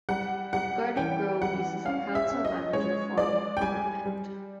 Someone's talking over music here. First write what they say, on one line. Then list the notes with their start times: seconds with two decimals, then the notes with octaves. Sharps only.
Garden Grove uses a council-manager form of government.
0.09 G3 F#5
0.53 G3 F#5
0.97 E3 G5
1.42 G3 F#5
1.85 C#4 F5
2.15 E5
2.30 C#4
2.45 D#5
2.73 G#3 C#5
3.17 G#3 D5
3.57 G5
3.61 G3 G#5
4.06 G3